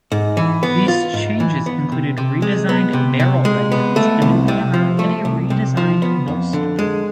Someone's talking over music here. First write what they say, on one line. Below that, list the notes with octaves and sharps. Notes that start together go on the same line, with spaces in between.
These changes included redesigned barrel bands, a new hammer, and a redesigned bolster.
G#2
E3
B3
F4
G#2
E3
B3
C3
C3
G#3
B3
C3
C3
G#3
B3
A3
C2
C3
F3
A3
C2
C3
F3
B3
F2
D3
G#3